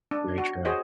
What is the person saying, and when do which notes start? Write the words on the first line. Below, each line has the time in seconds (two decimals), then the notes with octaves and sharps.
very true.
0.11 D4
0.38 F#4
0.65 F#4 G#4 C5 C#5 D#5